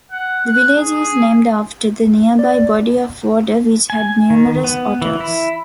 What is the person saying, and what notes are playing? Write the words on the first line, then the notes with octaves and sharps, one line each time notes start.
The village is named after the nearby body of water which had numerous otters.
F#5
F#6
G#4
D5
G#5
D#3
B3
E3
E4